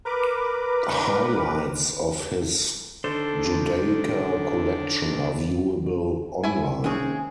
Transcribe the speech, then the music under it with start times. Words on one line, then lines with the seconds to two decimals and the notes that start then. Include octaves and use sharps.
Highlights of his Judaica collection are viewable online.
0.05 A#4 B4 D6
3.04 D3 D#3 D4 A4 C5
6.44 E4 E5 G#5
6.84 D#3 G#3 A#3 C4 C#4 G#4